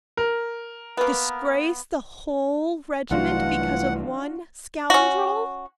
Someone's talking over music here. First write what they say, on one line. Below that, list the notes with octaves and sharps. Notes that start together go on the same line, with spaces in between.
Disgrace the whole regiment because of one scoundrel?
A#4
A#3 B3
C2 E3 F#3 A3 D4 F4 F#4 F#5
C#4 F#4